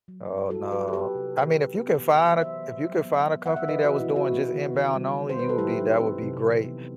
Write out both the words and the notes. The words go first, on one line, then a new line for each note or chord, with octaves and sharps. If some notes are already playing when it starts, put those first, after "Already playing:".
Oh, no, I mean if you can find a if you could find a company that was doing just inbound only, you would be that would be great,
F#3
C4
E4 F#4 A4
F#3 G4 B4
A4
B3 G4 B4
C3
C4
C3
B3
E3
E3
F#3 C5 E5
B3
F#3
B3
B3
B3 F#5
E5
E3 B4 D#5
E3 F#4
E4
C4
F#4
B3
D#3
D#3
G3
G3
C5
B2 B4
A4
F#3 E4 G4
D#4
C4
C3
E3
B3